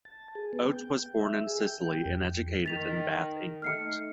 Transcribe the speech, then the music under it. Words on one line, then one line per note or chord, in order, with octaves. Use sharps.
Oates was born in Sicily and educated in Bath, England.
A5
G#4
B3
G5
E5
G#4
G5
F2
D#3 A6 B6 F7
A3 D#4 F6 C7 C#7